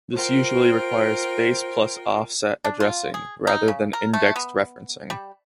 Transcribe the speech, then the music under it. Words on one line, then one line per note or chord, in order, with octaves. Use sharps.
This usually requires "base plus offset" addressing, rather than indexed referencing.
F4 A#4 C5 G5
D4
F4
G#4
D#4
C#3
A#4
A3
B3
G3